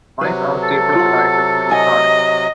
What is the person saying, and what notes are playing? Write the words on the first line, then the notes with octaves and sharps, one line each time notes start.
Mice are a staple in the diet of many small carnivores.
C3 F#3 B4
A4
F4 F#5
D#5 G#5